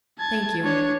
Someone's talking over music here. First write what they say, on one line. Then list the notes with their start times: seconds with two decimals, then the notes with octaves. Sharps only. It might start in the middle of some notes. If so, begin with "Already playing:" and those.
'Thank you.
0.19 A5 G#6
0.62 D4 C#5